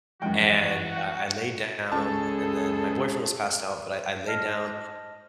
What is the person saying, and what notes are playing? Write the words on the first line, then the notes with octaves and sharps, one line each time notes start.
and, uh, I laid down, and then my boyfriend was passed out, but I I laid down,
F#2 E3 F3 G#3 F#4 G5
C#2 G#4 A4 A5
D#5 A5 F6 A#6